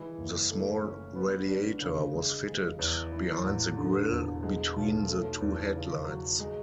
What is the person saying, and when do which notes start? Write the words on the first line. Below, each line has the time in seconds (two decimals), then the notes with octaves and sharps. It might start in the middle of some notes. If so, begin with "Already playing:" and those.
The small radiator was fitted behind the grill between the two headlights.
Already playing: E3 G#3
0.18 F#1
0.51 A3
0.83 C#4
1.15 B3
1.48 D4
1.81 C#3
2.13 G#3
2.47 G#3
2.79 E2
3.12 E3
3.44 A1
3.77 D3
4.10 E1
4.43 G#3
4.76 B1
5.08 A3
5.41 E2
5.73 C#3
6.06 F#3
6.40 G#3